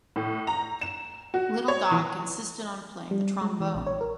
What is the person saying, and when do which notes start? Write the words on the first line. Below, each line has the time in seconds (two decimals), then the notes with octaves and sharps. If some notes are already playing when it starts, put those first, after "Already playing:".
Little Doc insisted on playing the trombone.
0.16 A2
0.47 A#5
0.81 E7
1.34 F#4
1.68 C#5
1.91 E3
3.11 G3
3.41 G#3
3.60 E3
3.75 A#1
3.87 C#5
4.01 A#4